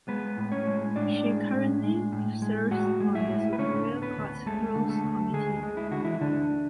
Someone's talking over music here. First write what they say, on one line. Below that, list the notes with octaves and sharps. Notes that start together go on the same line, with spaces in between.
She currently serves on the Superior Courts Rules Committee.
G#3 B3 B4
A2
C#4 C#5
G#3
A2 D4 D5
G#3
A2
G#3
A2
G#3
A2 F#4 F#5
G#3
E4 E5
A2
B4
D3 C#4 C#5
D2
B3 B4
D2
G#3 A3 A4
D3
A3 A4
D2
D2 G#3 G#4
G#3
E4
D3 F#4
E3 E4
D2 D3 D4